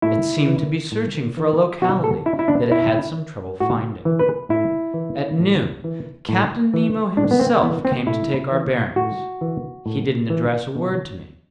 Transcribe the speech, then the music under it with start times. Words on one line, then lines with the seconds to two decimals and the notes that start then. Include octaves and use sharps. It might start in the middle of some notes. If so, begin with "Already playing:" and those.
It seemed to be searching for a locality that it had some trouble finding. At noon Captain Nemo himself came to take our bearings. He didn't address a word to me.
0.02 A2 E4
0.47 E3
0.92 A2
1.37 E3
1.82 B2 F#4
2.04 A4
2.26 E4
2.39 E4
2.48 D4
2.70 B2 E4
3.60 A2 F#4
4.05 E3
4.19 B4
4.49 A2 E4
4.94 E3
5.39 A2
5.84 E3
6.29 A2
6.74 E3
7.17 A2 D4
7.31 B3
7.39 C4
7.63 E3 B3
7.85 C4
8.07 A2 E4
8.52 E3
8.96 A2 F#4
9.41 E3
9.86 A2
10.30 E3
10.76 B2